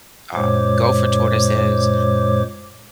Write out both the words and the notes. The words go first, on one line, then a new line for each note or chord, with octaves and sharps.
um, gopher tortoises,
F#2 A#2 G#3 C5 C#5 D6